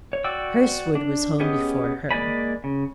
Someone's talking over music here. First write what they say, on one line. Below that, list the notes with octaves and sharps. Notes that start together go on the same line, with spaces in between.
Hurstwood was home before her.
C#5
F#4 D5 G5 D6 E6
D4
B3 C#4 G4 G#4 D#5
G#3 A#3 D5 G#5 B5
C#3